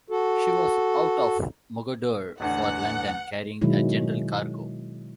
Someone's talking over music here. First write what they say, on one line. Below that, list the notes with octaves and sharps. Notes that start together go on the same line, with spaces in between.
She was out of Mogodore for London carrying a general cargo.
F#4 A4
A1 E2 D3 F#5
B2 D#3 F#3 G#3 E4